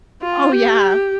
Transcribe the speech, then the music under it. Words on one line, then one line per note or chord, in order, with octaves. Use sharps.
Oh yeah,
F4
G4